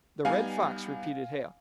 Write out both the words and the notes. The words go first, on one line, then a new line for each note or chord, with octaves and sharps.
"The Red Fox," repeated Hale.
G3 B3 D#4 F5 G#5